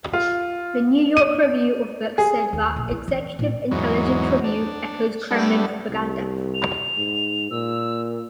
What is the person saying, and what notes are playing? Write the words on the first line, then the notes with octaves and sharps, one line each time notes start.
The New York Review of Books said that "Executive Intelligence Review" "echoes Kremlin propaganda".
F4
D#7
G#4
D#2
A#1
E4
E3
A2
E2 G#2 F#3
D4
G3 A3 B3 D4
C2
F7
G#2
A#2 E6